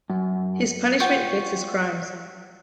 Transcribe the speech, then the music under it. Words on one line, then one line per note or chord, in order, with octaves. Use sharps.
His punishment fits his crimes.
F#2
F4 F#4 G5